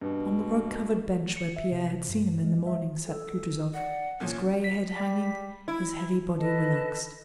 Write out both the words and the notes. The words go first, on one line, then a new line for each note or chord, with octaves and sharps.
On the rug-covered bench where Pierre had seen him in the morning sat Kutuzov, his gray head hanging, his heavy body relaxed.
G2 B2
C#7
E5
C3
G2
G#3
E5
A4
D5 F#5
C2 A#2 F3 C#4
B6
G3
E4
A4 B4 D#5 A5